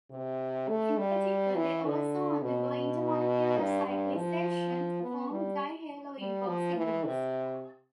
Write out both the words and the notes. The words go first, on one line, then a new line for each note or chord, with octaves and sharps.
In particular they also undergo intramolecular cyclisation to form dihaloepoxy groups.
C3
A3
G3
E3
D3
B2
G2
G2
F3
B3
G3
G3
F3
E3
C3